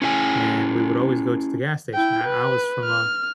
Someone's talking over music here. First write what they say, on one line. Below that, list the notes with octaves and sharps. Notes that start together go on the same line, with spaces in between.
And we would always go to the gas station. I I was from a
C#4 E4 G#4 E5 G#5
E4 G5
B4
F6